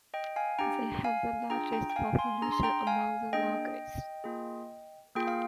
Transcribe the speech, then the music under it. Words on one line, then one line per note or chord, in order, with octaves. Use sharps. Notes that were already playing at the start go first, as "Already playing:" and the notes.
They have the largest population among the Nagas.
D#5 G5
F5 G#5
D4 G4 G5 A#5
F5 G#5
D4 F4 G#4 G5 A#5
G5 A#5
G5
F5 G#5
G#5 C6
D4 G#4 A#5
C6
G5 A#5
F5 G#5
A#3 D4 G#4 D#5 G5
A#3 F4 G#4
A#3 F4 G#4 G5
F5